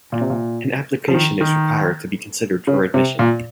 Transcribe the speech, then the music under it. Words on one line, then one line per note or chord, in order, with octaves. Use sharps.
An application is required to be considered for admission.
A#2
C3
A#2
F3
D#3
D#3
C#3
C3
A#2